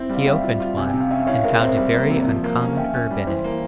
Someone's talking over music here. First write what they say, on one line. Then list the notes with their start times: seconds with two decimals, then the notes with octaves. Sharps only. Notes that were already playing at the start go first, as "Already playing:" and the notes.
He opened one and found a very uncommon herb in it.
Already playing: C4 E4
0.10 G3
0.15 F5
0.26 G3 E5 G5
0.44 F4
0.60 F4
0.77 C3 G#5
0.88 G5
0.93 C3
1.00 F5
1.10 C#4 E5 G5
1.27 E4 C#5 F5
1.44 G#3 A#4 C#5
1.60 C4 C5 E5
1.77 G3
1.94 A#3
2.10 C3
2.27 F3
2.44 A#3
2.61 C#4
2.68 F5
2.77 C#4 E5 G5
2.94 C#4
3.11 G3
3.27 E3 C5
3.44 A#3